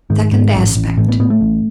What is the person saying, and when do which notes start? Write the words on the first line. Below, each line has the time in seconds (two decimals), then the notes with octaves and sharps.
Second Aspect.
0.10 G#2 D#3
0.32 G#2
0.54 A1
0.75 A1
0.97 A2 E3
1.08 B3
1.19 A2 B3
1.30 A3
1.41 A1